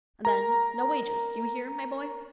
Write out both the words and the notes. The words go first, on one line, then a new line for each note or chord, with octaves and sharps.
And then, no wages, do you hear, my boy?
A#4 A#5